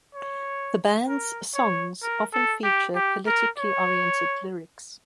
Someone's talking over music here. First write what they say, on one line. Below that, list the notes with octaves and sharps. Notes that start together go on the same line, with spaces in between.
The band's songs often feature politically oriented lyrics.
C#5
A#4
C#5
A#4
A4
G4
G4
A#4
C#5